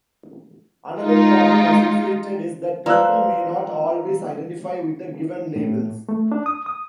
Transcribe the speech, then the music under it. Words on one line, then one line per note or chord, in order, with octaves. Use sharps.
Another problem associated is that people may not always identify with the given labels.
G#3 D#4 F4
F3 B4 D5 A#5 E6 F#6
A2
A3
D4
D#6
D#6